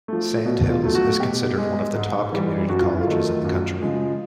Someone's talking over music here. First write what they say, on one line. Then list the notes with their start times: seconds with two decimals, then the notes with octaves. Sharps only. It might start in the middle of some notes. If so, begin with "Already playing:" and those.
Sandhills is considered one of the top community colleges in the country.
0.08 F3 A3
0.45 B2
0.70 F4
0.83 F#3 A3
0.95 F#4
1.20 B2 G4
1.58 G#3
1.95 G#2
2.32 E3 G3
2.69 F#2 F#4
2.80 F4
2.90 E4
3.01 F4
3.07 D#3 F#3 A3
3.44 F#2
3.82 C#3 F3 G#3